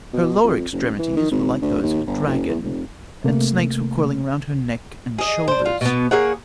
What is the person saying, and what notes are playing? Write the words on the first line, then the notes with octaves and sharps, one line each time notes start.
Her lower extremities were like those of a dragon, and snakes were coiling round her neck and shoulders.
B2
F2
F#1
E3
D#3
G#1
D2
D#2
G1
F#1
E2
F1
C3 A3 A#3
G#4 D#5
D4 C5
F4
B2 B3
A#3 G#4 C#5 F#5